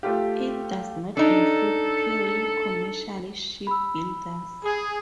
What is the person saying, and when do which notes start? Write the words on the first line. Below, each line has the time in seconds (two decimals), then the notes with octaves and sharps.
It does not include purely commercial shipbuilders.
0.03 A3 F4 G4
1.17 D4 D#4 A4
3.67 B5 E6
4.64 G#4